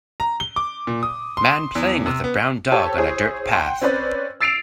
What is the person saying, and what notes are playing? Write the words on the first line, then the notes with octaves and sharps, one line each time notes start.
Man playing with a brown dog on a dirt path.
A#5
G7
D6
A#2
D#6
C6
E2
C3
B3
G4 A4 C5 C#5
E4 G#4 C5 C#5
F#5 G5 C6
C4 C#4 B4 C5 D5
E6 A6 C7 D7 E7 F7